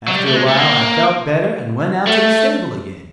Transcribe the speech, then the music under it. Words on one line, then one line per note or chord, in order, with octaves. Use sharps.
After a while I felt better, and went out to the stable again.
F#3
G3
A3
G#3
A3
A#3
A3